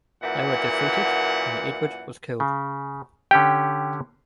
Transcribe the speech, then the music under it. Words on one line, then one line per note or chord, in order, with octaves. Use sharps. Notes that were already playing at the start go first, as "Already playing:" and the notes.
They were defeated and Edward was killed.
F#2 A#2 E3 F#5
C#3
D3 C#4 G4 G5